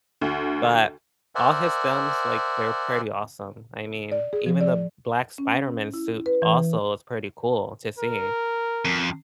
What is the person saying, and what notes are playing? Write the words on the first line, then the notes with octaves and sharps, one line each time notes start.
But all his films, like, they're pretty awesome. I mean, even the black Spider-Man suit also is pretty cool to see.
D2
A#4 C5 D5 E5 F#5 G#5
D5
G#4
F3
D5
C#4
E4
B4
E3
A#4
F2